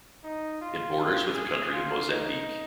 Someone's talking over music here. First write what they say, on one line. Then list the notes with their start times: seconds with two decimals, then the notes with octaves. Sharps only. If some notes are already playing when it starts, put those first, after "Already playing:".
It borders with the country of Mozambique.
0.24 D#4
0.61 F4
1.34 G#4
1.72 F4
2.09 D#4